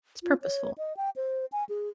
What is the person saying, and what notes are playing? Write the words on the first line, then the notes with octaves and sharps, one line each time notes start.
It's purposeful.
F4
C#5
D#5
G5
C5
G#5
G#4